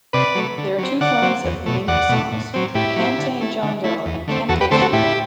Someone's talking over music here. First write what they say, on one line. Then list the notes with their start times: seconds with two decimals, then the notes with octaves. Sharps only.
There are two forms of flamenco songs: "cante jondo" and "cante chico".
0.13 C3 B4 D5
0.35 F#3 A3
0.58 D3
0.78 F#3 C4
1.01 D3 D5 F#5
1.22 F#3 C4
1.45 E2
1.66 B2 A3
1.88 E2 D5 F#5
2.09 B2 A3
2.32 A2
2.54 F#3 C4
2.74 A2 E4 G4
2.96 F#3 C4
3.18 D3
3.41 A3 E4
3.63 D3
3.84 A3 E4
4.06 E2
4.28 D3 A3 C4
4.49 E2 F#4 A4
4.61 G4 B4
4.71 D3 A3 C4 A4 C5
4.82 F#4 A4
4.93 A2 E4 G4